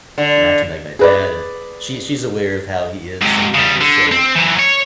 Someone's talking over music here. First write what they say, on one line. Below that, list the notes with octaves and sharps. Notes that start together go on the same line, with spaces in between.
I'm acting like my dad and she she's aware of how he is sometimes, so
D3
G#4 B4 D5
G#2 C3
C#3 G3
D3
C4
E3 F#3
C#5